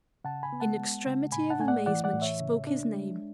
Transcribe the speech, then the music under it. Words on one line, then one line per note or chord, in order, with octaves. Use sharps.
In extremity of amazement she spoke his name.
C#3 F#5 A5
G#5 B5
B3
F#5 A5
G#3
C#3
A2 G#5 B5
F#5 A5
A3 G#5
D5 F#5
E3 D5 F#5
D5 F#5
A2
C#5 E5
C#3
D4
G#3